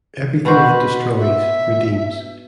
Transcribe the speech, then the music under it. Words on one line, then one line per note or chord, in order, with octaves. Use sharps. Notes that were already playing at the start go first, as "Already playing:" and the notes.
Everything that destroys, redeems.
B2 F#4 B4 C5
E5